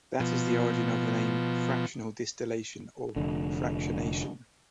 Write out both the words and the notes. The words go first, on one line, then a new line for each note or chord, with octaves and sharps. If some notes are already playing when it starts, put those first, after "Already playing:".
That is the origin of the name "fractional distillation" or "fractionation".
B2 F3
F1 D3